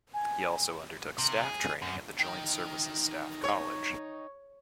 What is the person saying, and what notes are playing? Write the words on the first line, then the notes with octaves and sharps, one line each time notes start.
He also undertook staff training at the Joint Services Staff College.
G#5
C3
G#4
F#2
D#4 G5
C#5